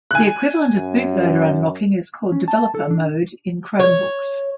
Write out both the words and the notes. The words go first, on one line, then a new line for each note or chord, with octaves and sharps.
The equivalent of bootloader unlocking is called developer mode in Chromebooks.
G#5 F#6
F#2
C#4
A5
A4
D4
C#5